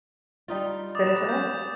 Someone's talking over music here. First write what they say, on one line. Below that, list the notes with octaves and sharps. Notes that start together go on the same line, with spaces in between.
finish at home.
G3 D#4 F4
D6 D#6 A6
B4 E7
G6